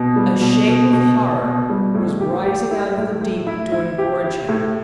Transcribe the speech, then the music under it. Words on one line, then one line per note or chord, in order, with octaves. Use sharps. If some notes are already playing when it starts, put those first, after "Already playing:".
A shape of horror was rising out of the deep to engorge him.
Already playing: B2
G3
B2
B2
B2
B2
B2
G3
A2
G4
G4
E4
A2
A2
E4
E4
G4
E4
A2